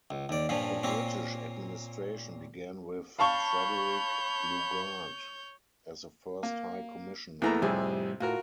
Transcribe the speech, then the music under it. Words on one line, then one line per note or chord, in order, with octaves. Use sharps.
The British Administration began with Frederick Lugard as the first High Commissioner.
C#2
D#2 D5
G2 A#2 F3 C#4
A#2 A#3 C4 C#4
C#5 F5 A5 B5 C#6 G6
A#3
E2 E3 A3 A#3 A#5
F2 A2 C3 G3 G#4
A2 F4 F#4 A#4